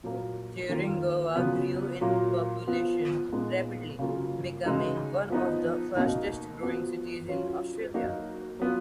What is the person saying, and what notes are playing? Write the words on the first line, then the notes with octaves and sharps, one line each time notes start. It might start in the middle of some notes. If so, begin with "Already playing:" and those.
Thuringowa grew in population rapidly, becoming one of the fastest growing cities in Australia.
A#2 F#3 A#3
D#3 A#3 F4
C#3 F#3 B3 F4
A#2 F#3 A#3
F3 B3 F4
A#2 G#3 B3 D#4
C#3 F#3 A#3 F4
C#3 G#3 D#4 F#4
F3 B3 D#4
B2 A#3 D#4 F#4
F3 B3 F#4
F#3 C#4 F4
F#3 A#3 D#4 F#4
F#3 B3 F4